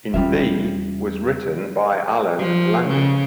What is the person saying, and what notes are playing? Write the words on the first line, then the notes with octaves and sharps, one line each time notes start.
"In Thee" was written by Allen Lanier.
E2 G3 C#4 F4 E5
F3
C#3